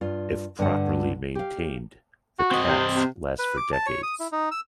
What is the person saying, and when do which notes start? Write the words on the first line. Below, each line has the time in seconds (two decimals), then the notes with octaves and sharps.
If properly maintained, the caps last for decades.
0.01 G2 F4
0.59 G2 D3 F#5
1.35 G4 F5
2.39 F#4
2.51 C4 D#5
2.67 C3
2.96 C3
3.39 B4
3.57 D6
3.73 A5
3.86 C#5
4.03 D#6
4.20 E4
4.32 D#4
4.51 E6